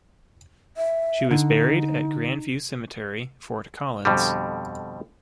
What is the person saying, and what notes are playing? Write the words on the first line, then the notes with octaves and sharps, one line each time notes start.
She was buried at Grandview Cemetery, Fort Collins.
E5
D3 D#4
F2 B2 D3 G3